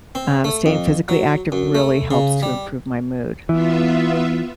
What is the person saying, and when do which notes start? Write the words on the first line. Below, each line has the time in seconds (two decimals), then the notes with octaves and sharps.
um, staying physically active really helps to improve my mood.
0.15 C4
0.44 A3
0.66 F2
1.09 F#3
1.52 F#2
1.75 A3
2.11 C#3
2.43 G3
3.49 E3 B3 F4 E5